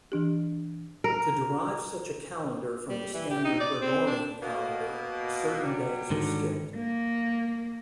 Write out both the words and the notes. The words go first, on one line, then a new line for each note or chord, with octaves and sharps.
To derive such a calendar from the standard Gregorian calendar, certain days are skipped.
E3 D4 G4
A#4
G3
E3
G4
D#4
D5
C4
D4
B2 A#3
F#3 G3
G#2 D3 D#3
A#3